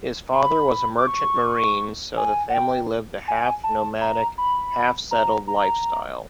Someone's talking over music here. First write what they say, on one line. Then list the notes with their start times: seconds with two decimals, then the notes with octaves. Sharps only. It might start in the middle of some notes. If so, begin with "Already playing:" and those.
His father was a merchant marine, so the family lived a half-nomadic, half-settled lifestyle.
0.35 B5
0.98 D6
1.07 C#6
2.17 G#5
2.50 F#5
2.54 G5
3.28 G#5
3.64 A5
4.01 A#5
4.38 B5
5.11 A#5
5.48 A#5